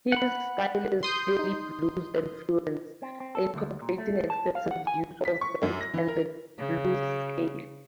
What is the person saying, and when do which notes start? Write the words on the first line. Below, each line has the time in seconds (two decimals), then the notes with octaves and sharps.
His style is clearly blues-influenced, incorporating extensive use of bends, and the blues scale.
0.12 F#5 B5
1.03 C6 D#6 G6
1.39 D#4
3.02 C4
3.20 C4
3.35 A4
3.55 D2
3.82 A#2
3.98 A3
4.30 A5
4.55 F5
4.71 F#5
4.87 G#5
5.25 B6
5.41 C#6
5.63 F#2
5.81 A#6
5.94 E3
6.08 A#4
6.58 C#3